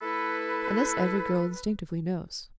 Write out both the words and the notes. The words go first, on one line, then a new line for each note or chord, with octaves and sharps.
And this every girl instinctively knows.
A3 E4 A4 B4